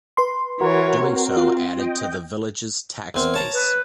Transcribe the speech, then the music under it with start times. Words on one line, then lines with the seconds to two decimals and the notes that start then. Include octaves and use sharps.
Doing so added to the village's tax base.
0.17 B4 C6
0.61 E3 F#4 A#4 C#5
1.06 C4
1.37 F4
1.79 D#5 G5
3.14 E2 C4 A#4
3.34 C#5 A5 A#5
3.53 B4